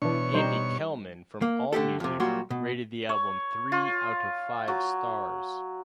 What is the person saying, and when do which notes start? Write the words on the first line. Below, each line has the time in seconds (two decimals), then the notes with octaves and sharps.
Andy Kellman from Allmusic rated the album three out of five stars.
0.02 B2 E3 D4 C#5 C#6
0.34 G3 D#4 C5
1.42 A#3
1.73 D3 A3 G4 A4
2.00 F2 C3
2.20 A#2 F#3 G3 A#3 F#4 C6
2.50 B2
3.09 C#5
3.72 F4
4.68 F#3